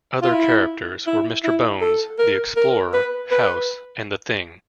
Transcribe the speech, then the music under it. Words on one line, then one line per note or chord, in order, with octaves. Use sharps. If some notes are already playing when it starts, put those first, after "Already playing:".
Other characters were Mister Bones, the Explorer, House, and the Thing.
F4
E4
E4
E4
A4
A#4
A#4
B4
B4